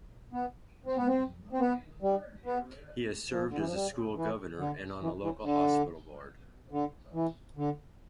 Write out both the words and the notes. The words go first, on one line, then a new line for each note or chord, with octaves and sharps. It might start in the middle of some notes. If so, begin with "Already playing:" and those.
He has served as a school governor, and on a local hospital board.
B3
C4
B3
C4
C4
B3
G3
B3
F3
D3
E3
F3
G3
E3
D3
E3
E3
D3
D3
E3
D3